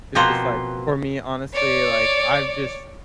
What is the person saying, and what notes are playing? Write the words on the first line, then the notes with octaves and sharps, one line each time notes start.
It's just like, for me, honestly, like, I've just
B2 F3 A#3 C4 C5 F#5
C#5 D5